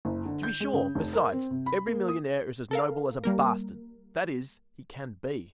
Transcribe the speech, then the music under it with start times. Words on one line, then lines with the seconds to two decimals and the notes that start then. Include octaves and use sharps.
"To be sure; besides, every millionaire is as noble as a bastard--that is, he can be."
0.05 F#1
0.25 D3
0.43 G6
0.60 G#3
0.73 C#3
0.95 F1
1.13 A#4
1.32 C4
1.51 C3
1.66 B5
1.87 A#3
2.08 D#6
2.71 A4 A#4 F5
3.24 G3 A#3 A#4